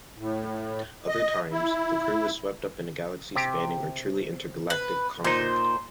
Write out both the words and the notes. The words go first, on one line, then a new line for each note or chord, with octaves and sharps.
Other times, the crew is swept up in a galaxy-spanning or truly intergalactic conflict.
A2
D#5
E4
C3 G4
B4
A#2 D#4 C5